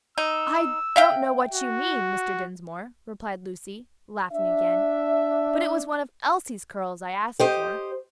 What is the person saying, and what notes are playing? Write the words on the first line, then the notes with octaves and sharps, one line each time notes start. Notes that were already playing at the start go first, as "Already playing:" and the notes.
"I don't know what you mean, Mr. Dinsmore," replied Lucy, laughing again, "but it was one of Elsie's curls I asked for."
D#4 E6
E5 F5 G5
F#4
D4 E5
G4 C5 D#5